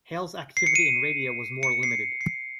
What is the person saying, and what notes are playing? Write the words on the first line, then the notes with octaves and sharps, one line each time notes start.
Hale's activity in radio was more limited.
C7
C#7
D#7
C#7
C7
C#7
C7